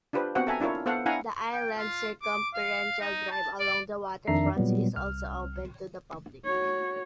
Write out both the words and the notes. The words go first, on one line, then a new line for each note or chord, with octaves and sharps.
The island's circumferential drive along the waterfront is also open to the public.
D4 F4 G4 B4 C5
B3 C4 F#4 C5 F5 F#5
A4 E5 G#5 A#5
D4 E4 F4 A#4 C#5
B3 A4 C5 F5 F#5
D4 E4 F5 F#5 G#5 A#5
G5
F4
D6
F5
D#4
A5
D5
F2 D#3 D4 E5 A#5 C7
A#2 F#3 G3 B3
C2 F6
F#4 C#5